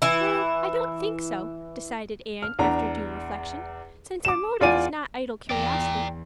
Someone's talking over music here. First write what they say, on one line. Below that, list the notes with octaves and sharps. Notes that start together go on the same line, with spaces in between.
"No, I don't think so," decided Anne, after due reflection, "since our motive is not idle curiosity."
E3 E4
F6
E2 D4 A#5
D6 E7
E2 F4 D5 G#5 D#7
E2 D5 G5 A#5